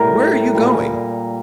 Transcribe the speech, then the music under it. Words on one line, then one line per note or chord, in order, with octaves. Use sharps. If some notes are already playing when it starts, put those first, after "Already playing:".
"And where are you going?"
Already playing: A2 G3 A#4
A#2 G3